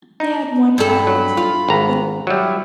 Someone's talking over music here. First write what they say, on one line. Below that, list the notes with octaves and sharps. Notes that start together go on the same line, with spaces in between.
They had one child.
D#4
G2 A4 B5
F#3
F4
G#1 A#5
F#3 G3 E4